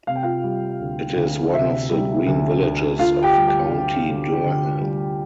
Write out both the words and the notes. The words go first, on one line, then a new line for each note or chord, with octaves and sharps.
It is one of the "green villages" of County Durham.
C3 F5
G5
F4 F5
G3
D2
D2
C3 E5
G3
D2
D2
D3 F4 F5
G4 G5
G3
G4 G5
D2
D2
D3
G3